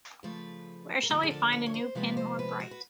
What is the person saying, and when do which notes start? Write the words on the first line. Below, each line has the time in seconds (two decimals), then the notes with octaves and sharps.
Where shall we find a new pin more bright?
0.23 C#3 F3 A3 B4
1.03 A#4
1.09 D2 D3 F3 A#3 D4 A4
1.23 G#4
1.31 A4
1.53 B4
1.66 C#5
1.74 C5
1.95 C3 F3 G#3 B3 D#4 B4
2.17 C5
2.39 B4
2.60 F#4
2.71 B4